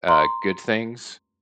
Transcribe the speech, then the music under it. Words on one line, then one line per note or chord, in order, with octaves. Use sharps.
uh, good things.
A#5 C6